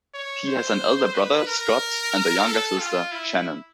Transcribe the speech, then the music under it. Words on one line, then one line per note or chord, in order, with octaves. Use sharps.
He has an elder brother, Scott, and a younger sister, Shannon.
C#5
C5
B4
A#4
A4
F4
E4